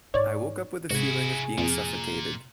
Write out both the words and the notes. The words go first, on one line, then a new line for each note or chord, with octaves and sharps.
I woke up with a feeling of being suffocated.
G#2 D#4 C#5 D5
G#1 C3 E4 F#4 G#4 G#6
F2 A#2